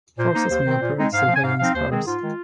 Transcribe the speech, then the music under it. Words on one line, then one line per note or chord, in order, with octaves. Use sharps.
Forces may operate surveillance cars.
A#2 C5
A#3 D#4
D#2
D#3 C4
A#2
G#3 C4 D#4
G#2 F5
F3 C4
G#5
G#2 F5
F3 C4 D#4 F5
D#2 C5
D#3 G#3 C4 G#4
G#2 F4
D#3 G#3